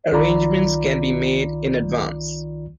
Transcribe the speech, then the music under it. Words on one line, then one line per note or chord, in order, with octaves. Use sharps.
Arrangements can be made in advance.
C2 D#3 F4 D5 A#5 B5